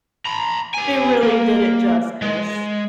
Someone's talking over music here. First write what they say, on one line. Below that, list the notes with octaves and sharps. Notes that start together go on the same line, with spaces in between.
They really did it justice.
A#5 B5
G4 G#5
A#3
G#3